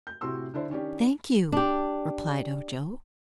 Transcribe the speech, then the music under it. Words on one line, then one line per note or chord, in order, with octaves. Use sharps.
"Thank you," replied Ojo.
G6
A2 C3 F#4 C6 E6
D3 D4 E4 C5
D#3 C#4 D4 G4
D4 G4